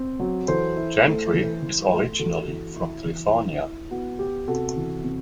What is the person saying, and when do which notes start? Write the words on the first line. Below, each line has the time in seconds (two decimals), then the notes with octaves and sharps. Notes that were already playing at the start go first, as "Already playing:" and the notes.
Gentry is originally from California.
Already playing: C4
0.19 F#3
0.48 E3 A4 C5
0.77 E4
1.05 A3
1.34 E3
1.62 E3
1.90 A3
2.19 E3 F#4 A4
2.48 E3
2.76 E4
3.05 E3
3.34 E4
3.62 E4
3.91 B3 F#4
4.19 B3 G4
4.48 C3 F#4 A4
4.76 E3
5.04 C3